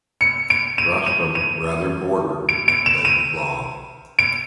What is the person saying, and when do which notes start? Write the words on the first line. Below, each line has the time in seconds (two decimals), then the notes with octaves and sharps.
Rostrum rather broader than long.
0.21 C#7
0.50 D7
0.78 D#7
1.06 D#7
1.35 D#7
2.49 D7
2.68 D7
2.86 E7
3.05 D#7
4.19 D7